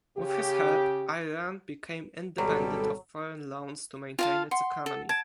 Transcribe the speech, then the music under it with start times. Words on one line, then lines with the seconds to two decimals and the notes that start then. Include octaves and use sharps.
With his help, Iran became independent of foreign loans to maintain its economy.
0.18 C#3 G4
2.38 G#1 B2 F#3 G3 A4
4.19 F4 F5 A5
4.51 F#5 C6
4.86 A4
5.09 A5 G#6 D7